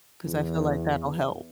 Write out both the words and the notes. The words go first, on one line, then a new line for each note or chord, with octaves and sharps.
'Cause I feel like that'll help.
E2